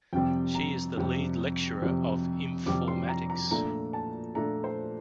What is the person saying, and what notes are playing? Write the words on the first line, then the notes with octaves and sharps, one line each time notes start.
She is the lead lecturer of informatics.
F2 C3 G3 C4 G5
A#5
F2 C3 G3 C4
F2 C3 G3 C4
F2 C3 G3 C4 D6
C6
A#5
A#5
A#2 A3 D4 A#5
A5
A#2 A3 D4 A#5
C5